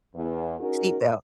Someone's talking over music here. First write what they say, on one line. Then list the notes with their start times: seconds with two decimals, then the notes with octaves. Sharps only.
Seat belt.
0.14 E2
0.59 C#4 D#4 F#4 G#4 A#4